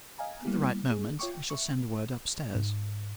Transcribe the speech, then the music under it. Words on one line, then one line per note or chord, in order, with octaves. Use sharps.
At the right moment, I shall send word upstairs.
D#5 F5 G#5 A#5
G3 A#3 B3 E4 G4
G#4
F4 C#5 E5 G5 C#6 D6
G5
E5 C#6
G#2